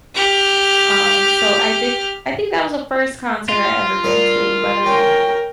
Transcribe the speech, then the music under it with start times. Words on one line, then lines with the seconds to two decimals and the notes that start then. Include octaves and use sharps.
Um, so I did I think that was the first concert I ever been to, but, um
0.15 G4 F6
3.48 F4
4.04 G2 A#4 G#5
4.86 C#4 A#4 G5